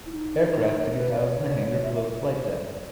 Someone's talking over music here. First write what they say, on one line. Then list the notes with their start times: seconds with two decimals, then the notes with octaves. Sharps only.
Aircraft could be housed in the hangar below the flight deck.
0.06 E4
0.11 D#4
0.80 A#4
0.97 B4
1.14 C#5
1.83 E5